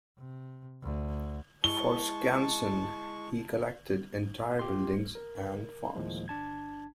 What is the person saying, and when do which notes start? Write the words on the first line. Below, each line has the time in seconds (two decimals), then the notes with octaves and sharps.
For Skansen, he collected entire buildings and farms.
0.18 C3
0.83 D2
1.64 G#3 E4 A5 C#6 G7
4.59 F4 G4 C6
5.15 A#4
5.95 D2 A2 D#3 F3 G#3 A#3
6.28 G1 D4 A5 G#6